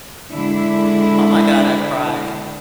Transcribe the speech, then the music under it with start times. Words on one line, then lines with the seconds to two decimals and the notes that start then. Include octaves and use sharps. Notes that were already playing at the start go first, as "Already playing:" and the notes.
oh my god, I cried.
0.33 D3 G#3 D4 E4